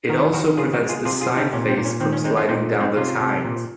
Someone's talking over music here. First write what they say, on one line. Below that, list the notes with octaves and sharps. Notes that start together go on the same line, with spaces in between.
It also prevents the sign face from sliding down the tines.
D#3 F#4 A#4
D#3 F#4 A#4
C#3 F4 G#4
D#4 F#4
G#3
F4 G#4
C3 F4 G#4
F4 G#4
C3
C4 D#4
A#2 C#4
C4
A#2
C#4
D#3 C4
C#4
G#3 C4 D#4
C#4 F4
A#2 C4 D#4
G#3
C4 D#4
C3 C#4 F4
C3
A#2